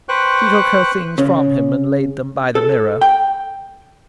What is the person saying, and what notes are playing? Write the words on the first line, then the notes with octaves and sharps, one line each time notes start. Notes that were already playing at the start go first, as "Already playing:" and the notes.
She took her things from him, and laid them by the mirror.
B4 C5 G5 C#6 F#6
C#3
A4
G5